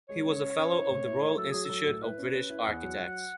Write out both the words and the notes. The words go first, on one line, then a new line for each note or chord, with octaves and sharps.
He was a fellow of the Royal Institute of British Architects.
G#3 C#5
C#3
C#4
C#4
E4
A2
E4
A3
F#3 A4
F#3 G#4
F#3 A4
A2
E4 B4
C#4
C#4
E4
E2 F#5
F#3
F#3